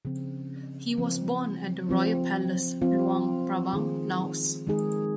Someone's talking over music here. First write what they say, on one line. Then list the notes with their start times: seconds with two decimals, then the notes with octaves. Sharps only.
He was born at the Royal Palace, Luang Prabang, Laos.
0.05 C#3 F3 C4
0.97 C#3 F3 C4
1.89 F3 C4 F4
2.82 F3 C4 F4
3.73 D#3 G#3 D#4 G#4
4.66 D#3 G#3 D#4 G#4